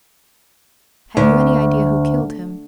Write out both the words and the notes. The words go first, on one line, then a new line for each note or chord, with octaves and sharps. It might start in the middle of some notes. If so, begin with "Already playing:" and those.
"Have you any idea who killed him?"
D2